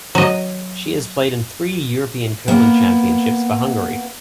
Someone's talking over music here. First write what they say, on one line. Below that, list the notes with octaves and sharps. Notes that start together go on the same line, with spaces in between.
She has played in three European Curling Championships for Hungary.
F#3 D#5
A#3 B3